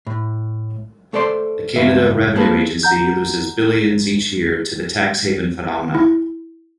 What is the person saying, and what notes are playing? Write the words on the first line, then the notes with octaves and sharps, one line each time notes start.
The Canada Revenue Agency loses billions each year to the Tax Haven phenomena.
A2
A3 A4 C5 D5 C6
C#2 G2 B2 F4 E5
A#3 G#4 A4 B4 C5
F#5 A#5 G6
E4